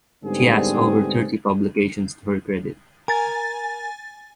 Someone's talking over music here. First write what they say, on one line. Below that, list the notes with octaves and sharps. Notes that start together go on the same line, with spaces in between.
She has over thirty publications to her credit.
G#2 D3 G3 B3 C4 G#4
A#4 G#5 A6